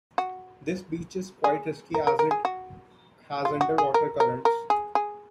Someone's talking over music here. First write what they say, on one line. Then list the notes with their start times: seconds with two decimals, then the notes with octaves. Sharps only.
This beach is quite risky as it has underwater currents.
0.18 F#4
1.44 G#4
1.94 A#4
2.07 A#4
2.19 A#4
2.31 G#4
2.45 F#4
3.45 F4
3.61 F#4
3.78 G#4
3.94 A#4
4.20 A#4
4.45 A#4
4.70 G#4
4.95 G#4